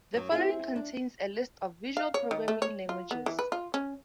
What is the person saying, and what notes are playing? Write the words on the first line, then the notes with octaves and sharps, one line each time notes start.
The following contains a list of visual programming languages.
F#2 F#3
C4 E4 G#4
D4
F5
C#5
D#3
A3
C#5
F4
B3
E3
B4
F4
C#4